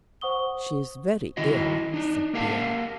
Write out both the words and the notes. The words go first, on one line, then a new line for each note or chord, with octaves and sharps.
"She is very ill," said Pierre.
C5 F#5 C#6 D#6 G7
D#3 E4 F#4 D#5
D4 D#4
A#3 G4 A#4 F5 F#5 A5